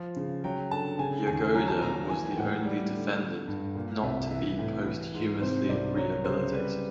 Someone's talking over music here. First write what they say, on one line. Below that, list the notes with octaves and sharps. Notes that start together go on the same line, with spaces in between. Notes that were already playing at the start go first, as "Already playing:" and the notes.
Yagoda was the only defendant not to be posthumously rehabilitated.
Already playing: F3
C#3
F#3 G5
D3 A5
C#3 G#5
D#2 G#5
F#3 G#5
A5
A#2 A#5
E3 G#5
G5
A2 F#5
G3
D3
D3
G2
A#2
C2 E5
E3 E5
A2
E3
G#2
C3 C5
C2 D5
F#3 C#5
C#3 C5
G3 B4